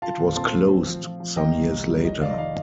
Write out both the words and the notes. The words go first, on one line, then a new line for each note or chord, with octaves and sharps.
It was closed some years later.
F4 F5 A5
A#2
C4 A5 C6
A3
C4
F3
F3
F3
A#3 D#5 G5
C2
C2
G3
F1 D#5
D#3 D5 F5
D#5
D#3 D5 F5